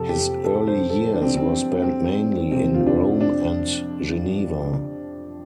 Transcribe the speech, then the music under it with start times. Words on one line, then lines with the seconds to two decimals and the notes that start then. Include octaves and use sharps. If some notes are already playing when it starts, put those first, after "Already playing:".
His early years were spent mainly in Rome and Geneva.
Already playing: F2 C3 A4
0.09 G4
0.44 A4
0.67 C5
0.90 A4
1.13 D4
1.22 C4
1.37 C4
1.82 C4
2.51 F2 C3 C4
2.74 F4
2.86 D4
3.20 D4